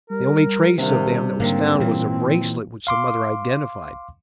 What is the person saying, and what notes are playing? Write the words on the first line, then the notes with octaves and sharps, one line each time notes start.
The only trace of them that was found was a bracelet which the mother identified.
G3 A#4
C3 D#3 D4 F5
G#2 D3 A#3 C4 C#5
A#2 E3
F5 C6 D6